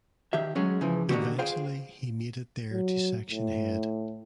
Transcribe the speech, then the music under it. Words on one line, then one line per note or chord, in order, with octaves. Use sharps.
Eventually he made it there to section head.
D#3 G4 E5
F#3 G#3 A3 C#4
C#3 E3 F3
D3 D#3 A#3 C4 F#4 G4
F4 G#4 C5 F5 G5
F#3
A2